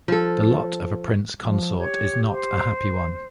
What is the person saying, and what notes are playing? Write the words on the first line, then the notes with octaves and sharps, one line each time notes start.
The lot of a prince consort is not a happy one.
F3 A4
F3
G4 C#5
C5